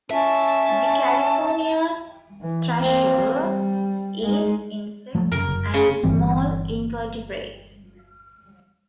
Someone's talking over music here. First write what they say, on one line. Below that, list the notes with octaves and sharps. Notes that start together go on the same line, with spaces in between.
The California thrasher eats insects and small invertebrates.
C#4 E5 A5
E3
A#3 C4
G3
G#3 D#4
F3 F#3 A3
F#2 C#3 A#4
F#1
C#3
G1 E3 G3 C4